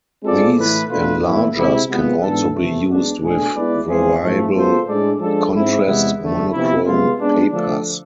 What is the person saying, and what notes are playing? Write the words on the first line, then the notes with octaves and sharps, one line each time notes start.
These enlargers can also be used with variable-contrast monochrome papers.
G#3 C4 F4 A4 D5
A2 E3 A3 E4 B4
B2 A3 D4 F4 B4
A2 E3 B3 E4
C3 G#3 C4 E4
C3 G#3 B3 F4
G#2 E3 B3 D4 A4
C3 E3 A3
G#3 B3 D4
B2 A3 D4 G#4
G#3 B3 E4 B4 D5
F3 G#3 C4 F4 G#4
G#2 F3 A3
G#3 B3 F4 A4 C5
A2 G#3 D4 A4 D5
F3 G#3 D4 A4
G#2 G#3 C4 E4
E2 C3 G#3 B3 E4
E2 D3 A3
C3 F3 B3 E4
C3 G#3 B3 F4
G#3 B3 D4
D3 F3 A3 D4 A4